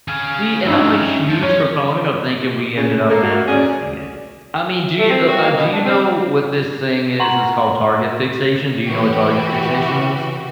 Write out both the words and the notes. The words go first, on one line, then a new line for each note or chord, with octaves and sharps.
See, and I'm a huge proponent of thinking we ended up manifesting it. I mean, do you uh, do you know what this thing is? It's called target fixation. Do you know what target fixation is?
G#4 F5
G2 C#4 D#4 E5 C#6
F3
C#4 C#5
C#3
A#3 A4 A#4
F#4
C#4 G#4 D5
A3
C4
F#4
A#3
B2
D4
C4
F#5 A#5 C6 C#6 F#7
E3 F#4 G4